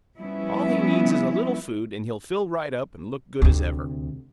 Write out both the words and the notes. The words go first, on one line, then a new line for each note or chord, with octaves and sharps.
All he needs is a little food and he'll fill right up and look good as ever.
F3 G3 B3 C#4 E4
D2 C3